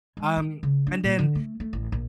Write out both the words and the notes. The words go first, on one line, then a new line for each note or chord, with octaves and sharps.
Um, and then
G#3
D#3
C#3
D4
A#2
D3
A3
A3
A1
A#1